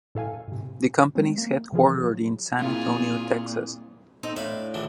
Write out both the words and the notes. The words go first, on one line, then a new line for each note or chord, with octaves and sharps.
The company is headquartered in San Antonio, Texas.
A2 A4 F5 G#5
G#2 C3
G#3 C4 C#4
A#3
C3 E3 F3 F4 G#4
F#3
A#2 C4 E4 F4 G#4
C4 D#4 A4
A2 D4 E5 F5 B5
A#1 D3 E3